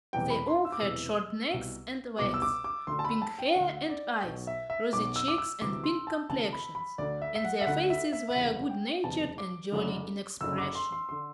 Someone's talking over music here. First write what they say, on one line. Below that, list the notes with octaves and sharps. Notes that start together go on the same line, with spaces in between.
They all had short necks and legs, pink hair and eyes, rosy cheeks and pink complexions, and their faces were good-natured and jolly in expression.
E1 E2 C3 E3 G5
B5
C6
E6
D6
E1 E2 C3 E3 E6
C2 B2
C2 B2 D6
E6
D6
D6
D2 D3 C6
A5
B5
A5
G5
D2 D3 F#5
D5
B1 B2
E5
E5
B1 B2 D6
E6
D6
E6
D2 C3 E3 D6
C6
A5
D2 C3 E3 A5
B5
B5
D2 D3 D5
E5
E5
F#5
E5
D2 D3 F#5
E5
E5
E5
F#1 E2 C3 F#5
G5
F#1 E2 C3 A5
D6
F#1 F#2 D3
F#1 F#2 D3 E6
D6
C6
C6
D3 C6